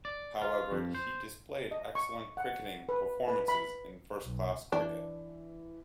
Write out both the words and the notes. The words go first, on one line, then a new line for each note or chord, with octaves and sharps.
However, he displayed excellent cricketing performances in first-class cricket.
D5
F4
F2
C5
D#5
C#6
F#5
B4
B4
B5
B1
E3 D4